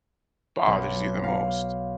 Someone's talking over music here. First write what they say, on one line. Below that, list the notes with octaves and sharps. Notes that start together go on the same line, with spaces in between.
bothers you the most?
B1
F5